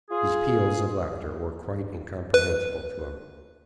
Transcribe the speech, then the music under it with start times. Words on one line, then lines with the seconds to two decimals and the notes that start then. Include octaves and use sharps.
These peals of laughter were quite incomprehensible to him.
0.10 F4 G#4
2.34 B4